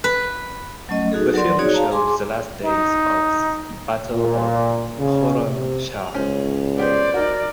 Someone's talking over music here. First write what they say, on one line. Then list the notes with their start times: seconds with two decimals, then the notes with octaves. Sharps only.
The film shows the last days of battle of Khorramshahr.
0.04 B4
0.89 F#3 A3 C#4 D#5
1.12 D#4 F#4 G#4 A4
1.34 F#3 A#4 D5 C6
1.59 D#4 F#4 G#4 C#5 D5
1.74 F5 A5 A#5
1.91 G#4 G#5 C6 D6
2.64 D#4
4.14 A#2
4.99 C#3
5.43 C3
6.15 C#2 C#4 C5
6.78 B3 G4 C5 D5
7.14 D#4 F#4 A#4